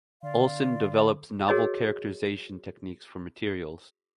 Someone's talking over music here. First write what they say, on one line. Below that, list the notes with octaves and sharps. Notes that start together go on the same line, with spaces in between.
Olsson develops novel characterisation techniques for materials.
D3 D5 F5 C6
F#4 G#4 A#4 C#5 D#5